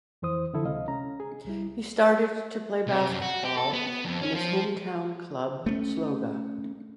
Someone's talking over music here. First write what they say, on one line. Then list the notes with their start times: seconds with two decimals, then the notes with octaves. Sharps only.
He started to play basketball in his hometown club Sloga.
0.22 F2 E3 C5 D#6
0.54 D3 F3 E4 A4
0.65 C#2 C3 G#3 D#5 F5
0.88 C#4 A#5
1.20 G#4
1.45 C2 G3 E4
2.88 C3
3.08 F#2
3.22 F#4
3.45 G4
3.57 A4
3.73 B3
3.87 B3
4.05 F2
4.22 C#4
4.34 F3
5.66 A3 A#3 C#4